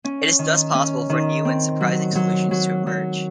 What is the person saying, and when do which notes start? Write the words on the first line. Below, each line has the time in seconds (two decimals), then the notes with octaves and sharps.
It is thus possible for new and surprising solutions to emerge.
0.04 C#4
0.39 D#3
0.74 C#4
1.10 D#3
1.45 C4
1.81 F#3
2.15 F#3
2.51 F#3
2.87 F#3